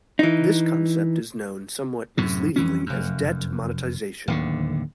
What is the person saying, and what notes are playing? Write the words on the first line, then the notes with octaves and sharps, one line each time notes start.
This concept is known somewhat misleadingly as debt monetization.
E3 D#4
F#2 A2 C3
F2 E3 C#4
F1 F#2
D1 D#2 D3